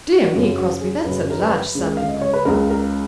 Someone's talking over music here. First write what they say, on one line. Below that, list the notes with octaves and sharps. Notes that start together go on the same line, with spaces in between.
"Dear me, Crosbie; that's a large sum of money."
F#4
F#2 C#3 F4
F#4
G#4
F#2 C#3 B4
A#4
B4
C#2 C#3
F5
D#5
C#5
B4
C#2 C#3 A#4
A#4